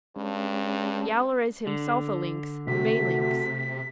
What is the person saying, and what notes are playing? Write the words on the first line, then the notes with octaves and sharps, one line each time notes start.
Yowler is himself a Lynx, the Bay Lynx.
G2 G#3 C#4
D3
C3 A3 F#4 B6